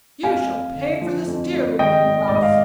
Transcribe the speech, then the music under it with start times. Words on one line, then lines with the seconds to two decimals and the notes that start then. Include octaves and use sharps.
'You shall pay for this dearly, Little Klaus!'
0.23 F2 F5 G#5
0.50 F2
0.75 D3
1.01 F3
1.27 F2
1.53 F2
1.79 G#1 D#5 G5
2.05 G#1
2.28 D5
2.31 G#2 D#5
2.42 F5